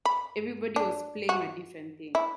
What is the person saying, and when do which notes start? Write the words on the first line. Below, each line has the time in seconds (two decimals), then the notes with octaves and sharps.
Everybody was playing a different thing.
0.05 B5
0.76 D4
1.29 F#4
2.15 E4